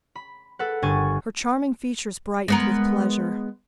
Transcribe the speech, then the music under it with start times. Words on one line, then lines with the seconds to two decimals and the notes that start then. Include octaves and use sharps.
Her charming features brightened with pleasure.
0.15 B5
0.59 A4 B4 F#5
0.82 G1 G#5 C#6 A6
2.48 G#3 B3 A#4